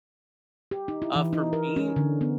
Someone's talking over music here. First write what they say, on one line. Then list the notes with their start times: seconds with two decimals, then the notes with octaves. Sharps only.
Uh, for me,
0.71 G4
0.88 D#4
1.02 E4
1.16 E3
1.33 D#4
1.53 A#4
1.76 C#4
1.96 D3
2.21 B3